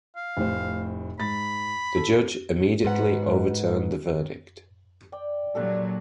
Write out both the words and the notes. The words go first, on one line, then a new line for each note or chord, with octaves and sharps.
The judge immediately overturned the verdict.
F5
F1 A2 C5
G#2 B5 A6
A4
G#2 B4 F#5
D5 G5
A#2 F#3 D4 G4 A4